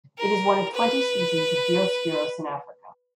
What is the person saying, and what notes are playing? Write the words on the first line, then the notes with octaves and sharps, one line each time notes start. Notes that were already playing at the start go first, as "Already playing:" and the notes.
It is one of twenty species of "Diospyros" in Africa.
A#4
B4